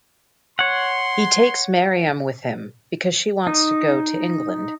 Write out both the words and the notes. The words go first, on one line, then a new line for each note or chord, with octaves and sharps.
He takes Maryam with him, because she wants to go to England.
C#5 F#5 C6
D#4